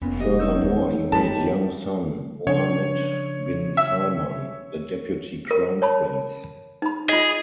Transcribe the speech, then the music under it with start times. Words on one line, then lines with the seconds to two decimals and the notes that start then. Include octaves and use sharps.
Furthermore he made young son, Mohammed bin Salman the Deputy Crown Prince.
0.02 F1 F#2 A#2 B3 C#4
0.20 G4 D#5
0.39 D#4 C#5 E6 G6
0.61 D#2
1.12 G2 G#3 G4 B4 A5
2.47 C#3 F3 D4 A4 C#5
3.77 E5
5.51 A#4
5.82 C#5 A5 B5
6.82 D#4 B5
7.09 F4 G#4 D#5